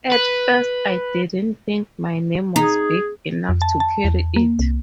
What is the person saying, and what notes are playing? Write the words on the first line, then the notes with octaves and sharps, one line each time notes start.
At first I didn't think my name was big enough to carry it.
B4
D#4 G#4
F2
A5
A5
E2
A#3
C2